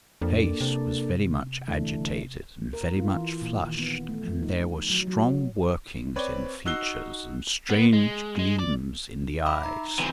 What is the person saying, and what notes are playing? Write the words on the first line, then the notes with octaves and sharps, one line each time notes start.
His face was very much agitated and very much flushed, and there were strong workings in the features, and strange gleams in the eyes.
F2 A#3 D4 A4
C3
D3 E3 A3
A#4
F4
E3
A#2
D#3
B3
A3
F3
D#4
F#3
F#3
C4 B4 C#5 D5
D#4 F#4 E6 F#6 C7 G7
B3
G#3
G#3
D5
E5 B5 D6
D#4 A#5
E3 C4